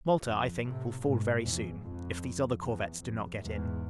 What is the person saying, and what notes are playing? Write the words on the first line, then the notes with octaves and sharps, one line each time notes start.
Malta, I think, will fall very soon, if these other corvettes do not get in.
F2
A2 C3
G#2 B2
E2 G#2
F2
E2
F2
E2 G#2